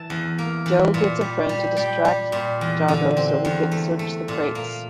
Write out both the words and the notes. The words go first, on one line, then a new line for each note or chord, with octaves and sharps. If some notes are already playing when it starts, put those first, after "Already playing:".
Joe gets a friend to distract Jago so he can search the crates.
Already playing: E3 A5
E2
A#3
E3
A#2
G3
G3
G3 G5
G3
A#2
E2
D3
C4
E2
A3
A3
A#2
A#3